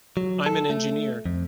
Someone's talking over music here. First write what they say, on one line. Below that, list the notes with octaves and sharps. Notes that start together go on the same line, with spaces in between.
I’m an engineer.
F#3
A4
A3
F2